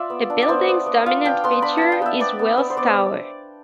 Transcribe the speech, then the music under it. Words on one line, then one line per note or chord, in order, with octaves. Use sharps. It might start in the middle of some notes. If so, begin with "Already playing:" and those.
The building's dominant feature is Wills Tower.
Already playing: F4 D5 E5
B3
D4
D5
B3 C5
B3
B3
F4 F5
D4 G5
B3 C6
D4 B5
F4 A5
G5
B3 E5
B3 D5
B3
B3
C5
B3 D5